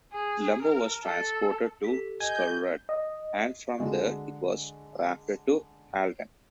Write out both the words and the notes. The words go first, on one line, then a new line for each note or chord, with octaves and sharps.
Lumber was transported to Skulreud and from there it was rafted to Halden.
G#4
A#4
A4
G4 A4 B6
D#5 G#5 G6
D#5
D3 G#3 F#4